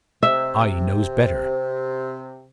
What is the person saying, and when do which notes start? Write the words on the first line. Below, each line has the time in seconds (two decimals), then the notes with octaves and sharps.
I knows better.
0.23 C3 E5